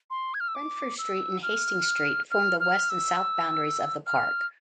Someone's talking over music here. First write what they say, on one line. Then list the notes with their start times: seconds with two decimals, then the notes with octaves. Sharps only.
Renfrew Street and Hastings Street form the west and south boundaries of the park.
0.10 C6
0.34 G#6
0.40 F6
0.48 E6
0.55 D6
0.98 E6
1.43 F6
2.31 F6
2.60 F6
2.90 E6
4.07 F6